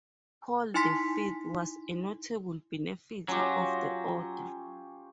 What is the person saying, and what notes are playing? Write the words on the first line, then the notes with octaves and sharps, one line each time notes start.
Paul the Fifth was a notable benefactor of the order.
D#4 E4 G#5 C6 B6
F#3 C#4 F4 G4